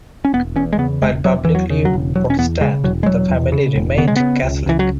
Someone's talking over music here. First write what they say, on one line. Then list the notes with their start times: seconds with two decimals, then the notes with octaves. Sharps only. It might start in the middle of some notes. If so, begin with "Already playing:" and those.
While publicly Protestant, the family remained Catholic.
0.25 C#4
0.33 E1 B3
0.56 E2 C#4
0.73 G#3
0.79 C#3 B3
1.02 E1 G#3
1.25 E1 F#3
1.45 E2 E3
1.55 F#3
1.70 C#3
1.85 F#3
1.93 E1
2.15 E1 F#3
2.30 C#4
2.39 E2 B3
2.61 C#3 G#3
2.84 E1 F#3
3.03 G#3
3.06 E1 F#3
3.29 E2
3.52 C#3
3.76 E1
3.98 C#3 B3
4.08 G#3
4.16 C#3 B3
4.43 C#2
4.66 C#2 E3
4.79 F#3